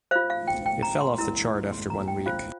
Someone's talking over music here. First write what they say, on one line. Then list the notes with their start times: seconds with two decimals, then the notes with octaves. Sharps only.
It fell off the chart after one week.
0.11 C5 F5
0.16 F4
0.30 F5
0.48 G5
0.66 G5
0.83 A#5
1.01 C6
1.18 E4 A#4 A#5
1.72 C6
1.90 A#5
2.08 G5
2.26 F4 C5 F5